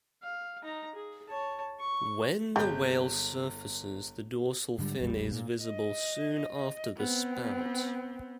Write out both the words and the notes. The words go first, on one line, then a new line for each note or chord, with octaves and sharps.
When the whale surfaces, the dorsal fin is visible soon after the spout.
F5
D#4 A#5
G#4
C#5 A5
C#6
G1 G3 G#3 G6
G#2 D3 G3
A1 E2 A2 G3
A#2
D#5
B3 C4